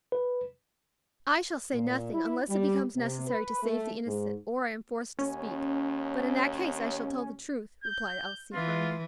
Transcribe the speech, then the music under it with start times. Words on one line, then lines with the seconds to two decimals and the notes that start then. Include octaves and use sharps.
"I shall say nothing, unless it becomes necessary to save the innocent, or I am forced to speak; but in that case I shall tell the truth," replied Elsie, firmly.
0.12 B4
1.74 A#2
2.12 E4
2.49 G3
2.97 C3
3.27 B4
3.63 A3
4.07 G#2
5.19 D#2 C#4
7.84 G6
8.54 E3 F4